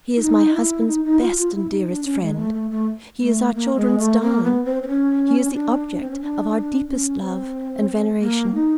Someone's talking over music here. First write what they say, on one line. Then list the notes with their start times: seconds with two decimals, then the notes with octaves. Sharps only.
He is my husband's best and dearest friend, he is our children's darling, he is the object of our deepest love and veneration.
0.17 E4
0.21 D#4
0.54 E4
0.87 D#4
1.04 D#4
1.21 F4
1.38 F4
1.55 E4
1.71 D#4
1.88 D4
2.04 C#4
2.21 G#3
2.37 A3
2.54 A3
2.71 A3
3.21 A3
3.54 A#3
3.76 G#3
3.99 A3
4.21 A#3
4.43 B3
4.65 C4
4.83 C4
4.88 C#4
5.54 D4
6.01 C4
6.11 C#4
6.21 D4
6.88 C#4
7.21 C4
8.21 A#3
8.55 D#4